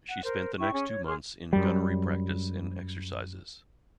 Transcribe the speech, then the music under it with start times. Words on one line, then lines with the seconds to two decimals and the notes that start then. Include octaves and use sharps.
She spent the next two months in gunnery practice and exercises.
0.09 F#5
0.24 A#4 C5
0.58 E4 G5 C#6
0.73 C#4 G#4
0.87 C#5
1.06 G#4 C6 F6
1.53 F#2 G3